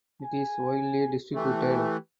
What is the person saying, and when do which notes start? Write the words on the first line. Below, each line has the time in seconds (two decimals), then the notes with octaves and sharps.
It is widely distributed.
0.22 G#5
1.34 E3 A3 G4